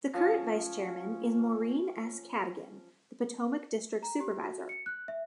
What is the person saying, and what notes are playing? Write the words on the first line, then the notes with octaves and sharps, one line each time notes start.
The current Vice-Chairman is Maureen S. Caddigan, the Potomac District Supervisor.
F3 C#4 C#5
A#5
G4
F#4
C#7
F#6
E5